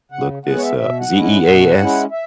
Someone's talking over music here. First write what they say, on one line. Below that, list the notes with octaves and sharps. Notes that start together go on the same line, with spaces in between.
look this up. Z-E-A-S?
C#3 F#5
G#3 B3 F#5
C#5
E5
B2 E5
F#5
G#3 C#4 E4
F#5
B2
G#3 C#4 E4
E5